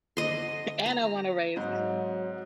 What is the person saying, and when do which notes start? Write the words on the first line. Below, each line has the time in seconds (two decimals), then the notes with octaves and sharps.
A and I wanna raise.
0.17 D3 D#5 C6
0.86 A#5
1.56 G#2 F#3 C4 D#4